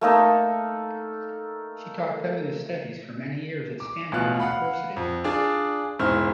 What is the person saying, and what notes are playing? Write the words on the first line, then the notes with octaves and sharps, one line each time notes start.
She taught feminist studies for many years at Stanford University.
A3 A#3 D#4 A4
D6
A1 B2 F4 F#6
F5 F#5 B5
F2
D4 F4 G#4 D5
E1 G#2 E4 C5 F6